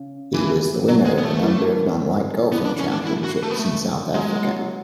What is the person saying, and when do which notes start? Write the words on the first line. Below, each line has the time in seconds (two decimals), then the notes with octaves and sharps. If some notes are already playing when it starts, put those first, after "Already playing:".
He was the winner of a number of non-white golfing championships in South Africa.
Already playing: C#3
0.34 E3
0.88 D3 F#3
1.06 G#3
1.18 B3
1.25 A3
1.42 E3
2.51 E3 B3
2.65 D4
2.80 C#4
2.92 D4
3.06 E4
3.24 F#4
3.43 A3
3.51 B3
3.59 A3
4.15 F#3 G#3
4.30 F#3
4.44 F#3
4.59 F#3